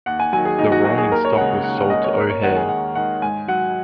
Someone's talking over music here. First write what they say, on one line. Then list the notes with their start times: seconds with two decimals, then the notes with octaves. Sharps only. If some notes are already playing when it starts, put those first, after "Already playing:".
The rolling stock was sold to O'Hare.
0.06 D#2 F#5
0.20 G#5
0.32 D#3 F#3 G#5
0.45 G#4
0.59 D#2 D#4
0.72 F#4
0.85 D#3 F#3 F#4
0.98 G#4
1.12 D#2 A#4
1.25 C#5
1.37 C#3 G#3 F#5
1.63 D#2 F#5
1.77 F#5
1.90 C#3 G#3 D#5
2.04 C#5
2.17 D#2 A#4
2.30 C#5
2.43 D#3 G#3 F#5
2.56 G#4
2.69 D#2 F#5
2.95 D#3 G#3 F#5
3.22 G#2 G#5
3.48 F#3 F#5